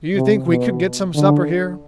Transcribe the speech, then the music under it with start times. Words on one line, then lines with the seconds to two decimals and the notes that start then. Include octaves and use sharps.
"Do you think we could get some supper here?"
0.16 C3
0.48 B2
1.15 D3